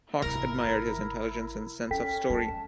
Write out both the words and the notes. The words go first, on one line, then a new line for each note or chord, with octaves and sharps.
Hawks admired his intelligence and sense of story.
G#1 C3 E4 A#4
C#4 D#4 A4 G5 B6
G#3 A5